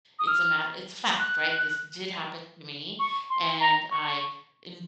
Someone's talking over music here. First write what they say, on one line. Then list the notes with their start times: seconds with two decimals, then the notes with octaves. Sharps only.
it's a mat" it's a fact, right? This did happen to me, and I am
0.19 D#6
0.27 F6
1.19 F#6
2.99 C#6
3.30 C6
3.60 A#5
3.91 C#6